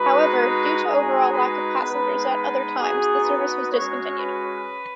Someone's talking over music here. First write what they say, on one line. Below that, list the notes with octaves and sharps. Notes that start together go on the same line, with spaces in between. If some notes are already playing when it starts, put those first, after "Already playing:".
However, due to overall lack of passengers at other times the service was discontinued.
Already playing: G#3 D#4 F#4 B4
B4
G#3 D#4 F#4 G#4
B4
G#3 B3 D#4 B4
B4
B3 D#4 F#4 G#4
B4
G#3 C#4 F#4 C#5
B4